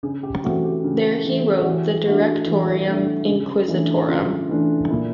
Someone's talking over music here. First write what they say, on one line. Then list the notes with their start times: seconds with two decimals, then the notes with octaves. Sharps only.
There he wrote the "Directorium Inquisitorum".
0.03 C#3 G#4
0.23 G4
0.43 E3 A3 C4 F#4
0.64 G4
0.84 C#3
1.25 E3 A3 C4
1.60 F#4
1.65 E3 G4
2.06 A3 D4 F#4
2.46 E3
2.87 A3 D4
3.28 C#3
3.68 E3 A3 D4
4.09 C#3 F4
4.49 E3 A3 D4
4.90 A#2 E4